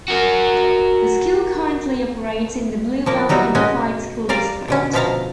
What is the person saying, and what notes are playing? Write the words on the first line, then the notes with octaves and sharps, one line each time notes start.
The school currently operates in the Blue Valley Unified School District.
F#4 A#4
F3 A#3 A#4
F#3 G3 D#4 E4 F#4
B2 G#3 C#4 F#4 D#5 G#5
G3 A#4 D5 F5
B2 D3 C#4
B2 F3 E5 F5 A5 A#5